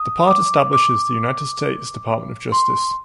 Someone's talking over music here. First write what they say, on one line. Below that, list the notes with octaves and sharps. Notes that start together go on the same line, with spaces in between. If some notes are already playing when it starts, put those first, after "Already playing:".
The part establishes the United States Department of Justice.
Already playing: D#6
D6
D6
C6